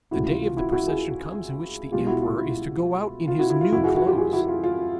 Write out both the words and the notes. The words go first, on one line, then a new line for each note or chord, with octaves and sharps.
The day of the procession comes in which the emperor is to go out in his new clothes.
C#2 C3 E3 A3 C4 E4 F#4
F4
F4
E4 F#4
E4 F#4
F#4 G#4
C2 B2 G#3 B3 F4 G4
E4 F#4
F4
E4
F4
E4 F#4
E4
F4
F2 C3 F3 E4 F#4
F#4 G#4
E4 F#4
F4 G4
F#4 G#4
E4 F#4
F4
F4